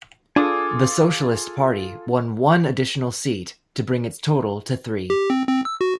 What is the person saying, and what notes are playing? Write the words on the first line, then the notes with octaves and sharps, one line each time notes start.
The Socialist Party won one additional seat to bring its total to three.
D4 F4 G#4 A4 G#5 D6 D#6
G4
C4
C4
E6
F#4